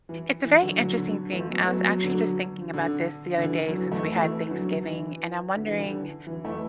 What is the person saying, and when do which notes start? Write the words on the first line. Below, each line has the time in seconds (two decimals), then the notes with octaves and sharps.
It's a very interesting thing. I was actually just thinking about this the other day since we had Thanksgiving, and I'm wondering
0.09 E3
0.45 E3
0.62 D3 F#3
0.79 D3 F#3
0.97 D3 F#3
1.32 E3 A3
1.50 F#3 B3
1.60 A3
1.68 F#3 B3
1.85 F#3 B3
2.03 D3 F#3
2.73 D3
3.38 D3
3.44 E3
3.68 D3 F#3
3.92 E3 A3
4.15 E3 A3
4.50 D3 F#3
4.85 E3
5.56 D3
5.68 E3
5.79 D3
6.27 E3
6.44 E3 A3